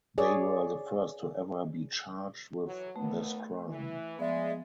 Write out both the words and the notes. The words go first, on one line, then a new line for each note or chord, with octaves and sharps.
They were the first to ever be charged with this crime.
G#4 C#5 D5
E3 F#3
D#2 A3 B3
E3
F3 G#3 B3 D5 E5